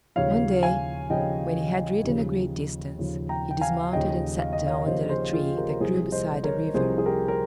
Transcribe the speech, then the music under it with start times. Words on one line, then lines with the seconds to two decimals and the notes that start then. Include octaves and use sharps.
One day when he had ridden a great distance, he dismounted and sat down under a tree that grew beside a river.
0.16 D#2 C#3 F3 C#5 F5
0.63 F5 G#5
1.10 D#2 C#3 F3 D#5 G5
2.04 D#2 C#3 F3
2.99 D#2 C#3 F3
3.29 G5 A#5
3.51 G5
3.61 F5 G#5
3.92 D#2 C#3 F3 D#5 G5
4.39 F5
4.53 D#5
4.66 C#5 F5
4.86 D#2 C#3 F3 C5 D#5
5.10 G#4 C5
5.33 F4 G#4
5.57 G4 A#4
5.69 A#4
5.80 C2 C3 F3 G#4 C5
6.12 C5 D#5
6.44 A#4 C#5
6.74 C2 C3 F3 G#4 C5
6.98 G#4
7.06 G4 A#4
7.28 A#4